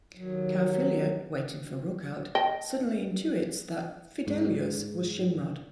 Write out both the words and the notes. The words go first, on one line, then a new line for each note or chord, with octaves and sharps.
Carfilhiot, waiting for Rughalt, suddenly intuits that Fidelius was Shimrod.
D#2 F#3
D#5 G5 A5
G#2